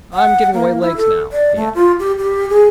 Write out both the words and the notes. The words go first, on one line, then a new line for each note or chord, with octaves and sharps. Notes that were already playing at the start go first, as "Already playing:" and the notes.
"I am giving away lakes now," he added.
F#5
A#3
E4
A4
D5
A3
F4
G4
G4
G#4